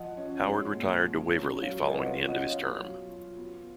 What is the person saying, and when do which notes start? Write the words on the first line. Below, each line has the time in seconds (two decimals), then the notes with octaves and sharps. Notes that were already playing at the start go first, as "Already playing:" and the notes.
Howard retired to "Waverly" following the end of his term.
Already playing: F3 D#5 F#5
0.17 C#4
0.46 G#3
0.75 A#2
1.05 F3
1.33 C#4
1.62 F#3 C#5 F5
1.85 B4 D#5
1.92 F4 F#5
2.06 C#5 F5
2.21 C#4
2.28 D#5 F#5
2.50 B2 C#5 F5
2.79 F#3
3.08 F4
3.38 B3